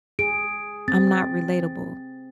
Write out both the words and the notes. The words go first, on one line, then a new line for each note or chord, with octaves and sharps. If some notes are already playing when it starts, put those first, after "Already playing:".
I'm not relatable.
G#4 D7
C4 A6